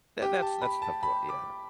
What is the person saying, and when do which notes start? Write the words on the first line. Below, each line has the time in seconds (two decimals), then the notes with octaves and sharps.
That that's that's tough to wa yeah.
0.22 G4
0.42 A5
0.61 B5
0.82 A5
1.03 B5
1.29 D6